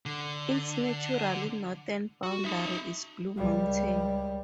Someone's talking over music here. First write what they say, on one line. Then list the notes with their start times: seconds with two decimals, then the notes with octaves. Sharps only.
Its natural northern boundary is Blue Mountain.
0.06 D3
2.23 F#4
2.45 D#4 E5
3.37 C#2 G3